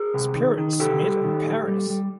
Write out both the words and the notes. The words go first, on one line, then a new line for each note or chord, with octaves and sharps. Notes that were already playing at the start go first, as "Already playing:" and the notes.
His parents met in Paris.
Already playing: G#4 A#4
C3
D#3
D#3
C3 G4 A4
G3
D#3
A#2
G3
G3